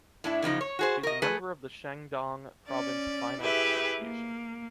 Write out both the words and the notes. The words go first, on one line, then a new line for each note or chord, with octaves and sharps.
She is a member of the Shandong Province Fine Arts Association.
A2 D4 E4
E2 C#3 F3 D#4
C#5
F#4 G#4 C5
A#4 D#5
A3 G#4 B4
C#4 D5
E4 G4 G#4 B4 E5
A#3